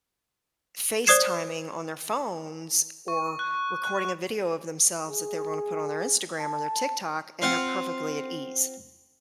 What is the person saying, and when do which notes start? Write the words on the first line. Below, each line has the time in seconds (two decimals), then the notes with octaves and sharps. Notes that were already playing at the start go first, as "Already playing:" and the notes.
FaceTiming on their phones or recording a video of themselves that they're gonna put on their Instagram or their TikTok and they're perfectly at ease.
1.07 C5 D5 D#6 G#6 C7 E7
3.08 C#6
3.39 F#6
3.84 F#6
5.08 G#4
6.39 A5
7.42 C4 F4 C5 F5 F#5